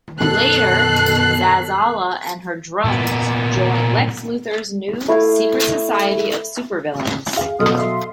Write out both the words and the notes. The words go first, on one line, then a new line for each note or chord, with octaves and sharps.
Later, Zazzala and her drones join Lex Luthor's new Secret Society of Super Villains.
F#2 B2 D#3 A4 F#6 C7
A#2 B3
A3 E4 F5
G#4 F5
B2 F#3 A4 C6 D#6 F6
E5 F5 C6